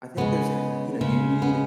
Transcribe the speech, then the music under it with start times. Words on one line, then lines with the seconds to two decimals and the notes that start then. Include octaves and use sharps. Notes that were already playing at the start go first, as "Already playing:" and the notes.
I think there's h you know, you need
0.17 C#3 G#3 B3
1.01 C#3 G#3
1.42 B3